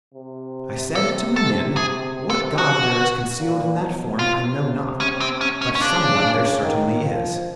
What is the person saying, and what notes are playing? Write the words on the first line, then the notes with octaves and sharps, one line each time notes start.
I said to my men, 'What god there is concealed in that form I know not, but some one there certainly is.
C3
A4
A4
G#4
A4
F#4
A#2
B2
C3 F4
C#4
C4
C#4
C#4
C#4
C#3 D4
C#3
D#3
F3